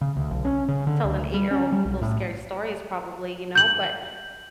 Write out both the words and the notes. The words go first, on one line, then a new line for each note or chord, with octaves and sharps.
tell an eight-year-old those scary stories probably, you know, but,
C#3
D2
B1
C#4
C#3
D3
D2
G3
C#4
G3
B1
A2
G6 F#7